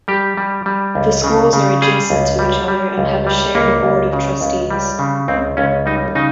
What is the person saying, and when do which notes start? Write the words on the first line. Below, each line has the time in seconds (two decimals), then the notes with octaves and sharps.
The schools are adjacent to each other and have a shared Board of Trustees.
0.08 G3 G4
0.37 G3
0.66 G3
0.95 C#2
1.24 C#3
1.53 C#3
1.82 G3 G#4
2.10 C#2
2.39 G3
2.68 G3
2.98 C#2
3.27 G3
3.55 C#2 A#3
3.83 C#2
4.13 C#3
4.41 C#2
4.70 G3
4.99 C#3
5.28 C#2 C4
5.57 C#2 C#4
5.86 G3 D#4
6.15 C#3 D#4